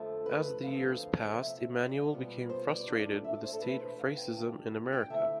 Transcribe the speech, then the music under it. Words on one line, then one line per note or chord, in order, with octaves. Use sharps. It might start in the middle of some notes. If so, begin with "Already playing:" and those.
As the years passed Emanuel became frustrated with the state of racism in America.
Already playing: F2 D3 F3 A3
B4
E2 D3 F3 C4 F5
C3 F3 C4 E5
D5
B2 G3 B3 F4
C5
D5
A2 G3 D4 F4
E5
D5
C5
A4
E2 B2 A3 D4 B4
C5
F5
G5
D3 G3 D4 F4
G5
D3 A3 C4 E4 E5